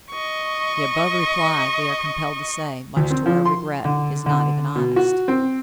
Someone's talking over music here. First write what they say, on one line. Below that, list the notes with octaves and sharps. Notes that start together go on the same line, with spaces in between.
The above reply, we are compelled to say, much to our regret, is not even honest.
D#5 C#6
D2
C4
F3
C6
D3
D3
B2
F#4
C4